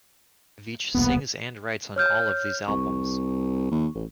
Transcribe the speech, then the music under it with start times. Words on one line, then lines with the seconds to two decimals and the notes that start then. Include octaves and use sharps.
Veitch sings and writes on all of these albums.
0.95 E1 C2 A#3 B3
1.96 C#5 F6 G6
2.68 C2 C#6
3.71 D#2
3.95 A1